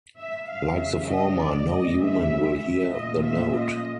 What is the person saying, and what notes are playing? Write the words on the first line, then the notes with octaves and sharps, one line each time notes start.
Like the former, no human will hear the note.
E5
F#2 C#3 F#3 F5
E5
D#5
D5
D2 C#3 E3 G#3 D#5
E5
E5
A#2 F3 A3 C#4 F4 D#5
E5
D#5